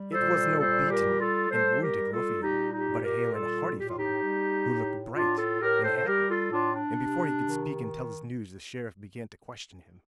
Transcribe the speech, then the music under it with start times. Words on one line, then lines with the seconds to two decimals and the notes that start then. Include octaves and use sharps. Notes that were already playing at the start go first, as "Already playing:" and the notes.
It was no beaten and wounded ruffian, but a hale and hearty fellow, who looked bright and happy, and before he could speak and tell his news the Sheriff began to question him.
Already playing: G3
0.13 A#2 A4 C5
0.58 G3 A4 C5
0.89 G4 A#4
1.04 G3
1.20 F4 A4
1.49 G3 A4 C5
1.80 G4 A#4
1.95 G3
2.10 F4 A4
2.41 A#2 D#4 G4
2.72 D#4 G4
2.87 A#2
3.02 G4 A#4
3.32 G3 F4 A4
3.77 A2 G4
3.86 F4
3.96 D#4 G4
4.23 G3
4.68 A2
5.14 A2 D4 F4
5.37 F4 A4
5.59 A2 G4 A#4
5.83 A4 C5
5.96 C5
6.05 G3 G4 A#4
6.29 F4 A4
6.50 A2 D4 F4
6.73 D4
6.96 C3
7.42 D#3